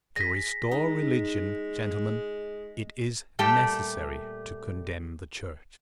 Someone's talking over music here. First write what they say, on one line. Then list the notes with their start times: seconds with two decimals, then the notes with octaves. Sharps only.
To restore religion, gentlemen, it is necessary to condemn the Church.
0.16 G#4 G#5 A#6 B6
0.71 G#3 D#4
3.39 A#2 G3 A3 G4 G5 A5